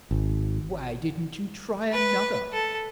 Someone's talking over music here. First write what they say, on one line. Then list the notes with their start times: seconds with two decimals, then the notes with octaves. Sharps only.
"Why didn't you try another?"
0.11 G#1
1.91 B4
2.52 A4